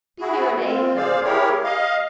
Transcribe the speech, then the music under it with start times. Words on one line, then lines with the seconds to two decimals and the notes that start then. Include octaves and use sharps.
Be here at eight-thirty.
0.20 E4 F#4 G#4
0.64 C4 F4
0.96 G#4 C5 D5 F5
1.24 E4 G4 G#4 A#4 C#5
1.64 D#5 F5